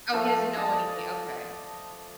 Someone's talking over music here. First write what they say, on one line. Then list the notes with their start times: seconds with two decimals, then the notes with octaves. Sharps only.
Oh, he doesn't know anything, okay.
0.13 F3 A3 A4 D#5
0.57 D5 D#5 A5